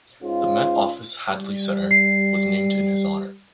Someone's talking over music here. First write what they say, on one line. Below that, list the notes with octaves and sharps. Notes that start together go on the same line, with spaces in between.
The Met Office Hadley Centre was named in his honour.
G#2 C#4 F4
G3
C7